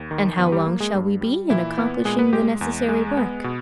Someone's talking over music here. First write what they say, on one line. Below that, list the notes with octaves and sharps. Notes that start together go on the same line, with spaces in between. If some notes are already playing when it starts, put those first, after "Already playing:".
"And how long shall we be in accomplishing the necessary work?"
Already playing: D#2
D#3
G2 B3 B4
G3 G4
A#3
G#3 G#4
G2
G3
A#2 E3 E4
B3
A#2 G#3 G#4
B3 B4
G#3 G4 G5
E2
G#3
B3
B2